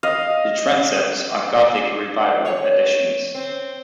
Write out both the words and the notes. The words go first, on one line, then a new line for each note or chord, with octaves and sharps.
The transepts are Gothic Revival additions.
D#5 F5
C#5
C4